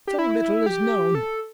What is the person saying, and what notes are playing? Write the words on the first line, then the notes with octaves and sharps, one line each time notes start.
"So little is known."
G4
E4
G4
A4